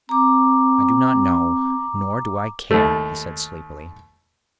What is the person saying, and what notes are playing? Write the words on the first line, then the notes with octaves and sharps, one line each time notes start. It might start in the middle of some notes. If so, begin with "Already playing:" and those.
"I do not know--nor do I care," he said sleepily.
C4 A#5 D6
D#2 A3